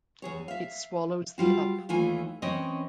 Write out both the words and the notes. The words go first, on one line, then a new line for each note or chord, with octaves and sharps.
It swallows thee up.
E2 G#4 C#5
E5 F5
G3 F4 F#4
D#2 E3 A3 F4 G#5
E3 C4 C#4 C#5 D#5